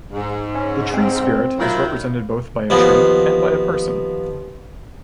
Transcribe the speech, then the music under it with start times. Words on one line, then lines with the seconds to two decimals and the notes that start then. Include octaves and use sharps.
The tree spirit is represented both by a tree and by a person.
0.13 G#2
0.54 C#4
0.93 C4
1.59 D#3 F#3 E4 F4
2.70 D#2 F3 B3